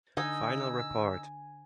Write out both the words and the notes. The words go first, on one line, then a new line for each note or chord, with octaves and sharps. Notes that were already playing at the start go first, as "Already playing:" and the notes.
Final report.
D3 D#4 G#5 D#6 E6